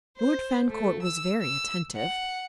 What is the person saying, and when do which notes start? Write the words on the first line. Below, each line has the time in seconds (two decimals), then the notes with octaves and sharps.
Lord Fancourt was very attentive.
0.17 C5
0.69 A3
1.02 E6
1.42 E6
1.96 F#5